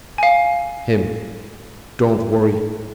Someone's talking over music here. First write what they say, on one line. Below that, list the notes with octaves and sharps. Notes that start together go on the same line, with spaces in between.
HIM: Don't worry.
F5 G#5